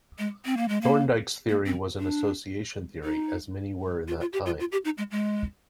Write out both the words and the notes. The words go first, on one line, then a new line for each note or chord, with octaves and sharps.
Thorndike's theory was an association theory, as many were in that time.
G#3
C4
A#3
G#3
A#3
A#3
C4
D4
D#4
F4
F4
G4
F4
F4
G4
D#4
G#3
G#3